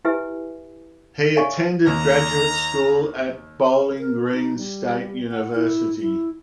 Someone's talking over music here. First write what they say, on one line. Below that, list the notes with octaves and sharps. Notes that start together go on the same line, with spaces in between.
He attended graduate school at Bowling Green State University.
E4 G4 B4 E5 G#5
C#5 D5 E5 F5 G#5 C#6
D#2 A#5
A#4
D#4
G3
F#5
E4
E4